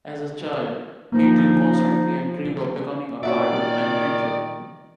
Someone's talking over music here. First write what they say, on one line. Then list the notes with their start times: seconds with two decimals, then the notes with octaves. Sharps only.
As a child, he drew constantly and dreamed of becoming a cartoon animator.
1.12 F3 A#3 D#4
3.23 A#2 D#3 C#4 F#4 D5 E5